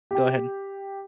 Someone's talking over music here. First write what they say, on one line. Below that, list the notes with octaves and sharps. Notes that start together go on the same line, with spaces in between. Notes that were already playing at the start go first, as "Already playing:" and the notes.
go ahead.
G4 G5